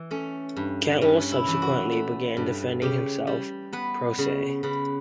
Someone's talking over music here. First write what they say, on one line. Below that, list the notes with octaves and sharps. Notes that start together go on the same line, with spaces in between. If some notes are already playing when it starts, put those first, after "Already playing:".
Cantwell subsequently began defending himself "pro se".
Already playing: E3
A3 C#4
G2
G2 C#4
E4
E3
E4
F#4
A3
G2
C#3 G4
G3
B3 B4
C#3
C#3 B4